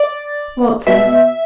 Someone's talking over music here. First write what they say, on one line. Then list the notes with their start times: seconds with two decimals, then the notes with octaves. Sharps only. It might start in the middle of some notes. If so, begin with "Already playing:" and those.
"What thing?"
Already playing: D5
0.87 B2 E5